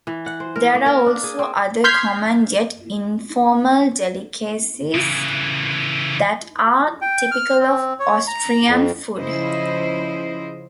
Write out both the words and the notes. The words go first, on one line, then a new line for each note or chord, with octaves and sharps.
There are also other common yet informal delicacies that are typical of Austrian food.
E3
F#5
C5
A#4
A#3
A#4
D4
G#4
C4
C6 F6 G6 G#6 B6 C7
C#3 E3
G5
F6
C4
C#5
A#5
F2
C#3 F3 E4 C5 D#5